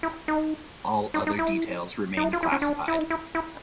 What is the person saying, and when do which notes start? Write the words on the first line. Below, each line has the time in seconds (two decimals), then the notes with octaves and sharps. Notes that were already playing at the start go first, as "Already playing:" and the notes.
All other details remain classified.
0.03 E4
0.28 D#4
1.14 D#4
1.27 D#4
1.39 E4
2.17 D#4
2.24 E4
2.33 F4
2.43 E4
2.52 C#4
2.62 D4
2.88 E4
2.99 D#4
3.10 E4
3.35 E4